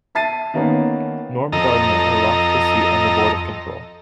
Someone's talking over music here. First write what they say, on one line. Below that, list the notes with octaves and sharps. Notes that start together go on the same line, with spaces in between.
Norm Gardner lost his seat on the Board of Control.
E5 A5 A6 C7 D#7
D#3 A#3 B3 C#4
F2 A4 D#5 A#5